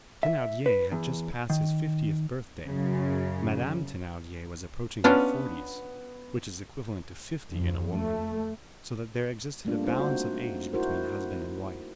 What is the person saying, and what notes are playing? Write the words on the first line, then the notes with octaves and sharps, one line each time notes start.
Thenardier had just passed his fiftieth birthday; Madame Thenardier was approaching her forties, which is equivalent to fifty in a woman; so that there existed a balance of age between husband and wife.
E5
B4
E2
D#3
F#2 C#3
B3 C#4 D4 F4
F2
A3
G3 A3 A#3 D4 F4
C4 D4 D#4 F4 C5
F#4
D#4 E4 F#4 A#4 C5